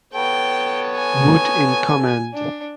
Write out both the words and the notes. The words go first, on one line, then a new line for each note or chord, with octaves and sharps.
Wood in command.
B3 A4 C#5 G5
G#5
D4